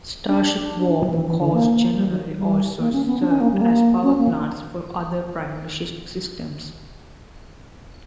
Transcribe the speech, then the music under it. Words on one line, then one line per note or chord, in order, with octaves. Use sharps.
Starship warp cores generally also serve as powerplants for other primary ship systems.
D4
F#3
E3
E3
D3
A#3
G3
F#3
G3
A#3
C#4
B3
D4
C#4
A#3
G3
A#3
C#4
A#3